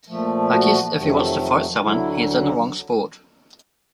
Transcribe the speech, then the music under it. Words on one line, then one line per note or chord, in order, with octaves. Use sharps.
I guess if he wants to fight someone, he is in the wrong sport.
A#2 F3 A3
F#4
F2 C3 D#3 F#3 A3
F4
D2 D3 F#3 E4